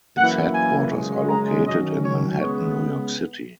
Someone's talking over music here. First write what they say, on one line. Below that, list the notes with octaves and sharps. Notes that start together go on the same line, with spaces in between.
Its headquarters are located in Manhattan, New York City.
F#2 E3 A#3 F#5
G#5
F#2 C#3 G#3
A#5
F#2 D#3 F#3 C#4 D#5
C#5
C#3 G#3 B3 C#5